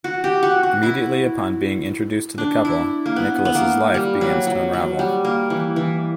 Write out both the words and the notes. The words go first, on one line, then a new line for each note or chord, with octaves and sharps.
Immediately upon being introduced to the couple, Nicholas' life begins to unravel.
F#4
G4
F#4
F#4
E4
D4
E4
A#3
B3
B3
A#3
G3
F#3
F#3
F#3
G3
A#3
E3
E3